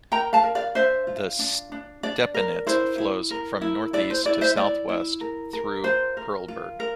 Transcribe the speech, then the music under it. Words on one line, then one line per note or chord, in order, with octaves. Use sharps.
The Stepenitz flows from northeast to southwest through Perleberg.
A#4 G5 A#5
F5 A5
A#4
D5 F5
D4 C5 E5
F4
D4
D4
D4 D5
A#4
E4 C5
E4
A#4
E4
E4 D5
C5
E4 D5
C5 E5
E4 D5
E4
A#4
A#4
F4 C5
A#4
F4
A#4